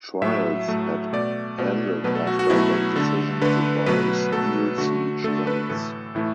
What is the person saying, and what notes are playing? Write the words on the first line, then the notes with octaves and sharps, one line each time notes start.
Trials had ended after the decision to buy steel siege guns.
A2 F#3 A3 E5
A2 F#3 A3
B2 A3 D5
B2 A3
B2 F#3 A3 B4
A4
F#4
F#4
B2 F#3 A3 E4
D3 A3 A4
D3 A3 B4
B2 F#3 A3 B4
B2 F#3 A3 A4
D3 A3 F#4
D3 A3 A4
B4
A2 E3 A3 A4
A2 E3 A3 E4